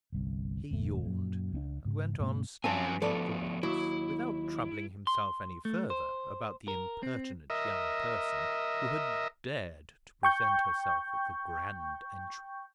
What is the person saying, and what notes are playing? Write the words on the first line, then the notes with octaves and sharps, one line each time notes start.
He yawned, and went on staring at the rooks, without troubling himself any further about the impertinent young person who had dared to present herself at the grand entrance.
G1 C2
G1 E2 A#2 A3
F#2 A#2
C#2 C4 D4
G#2 C#3
G2 B2 A3 C#4
F3 C4 C#4 F5 G#5 A5
F3 A3 B3 A4 B4 D5
D#2 F#3 E4
C6
A3
C5
A#4
C4
A#4 D#5 E5
G5 C#6 G6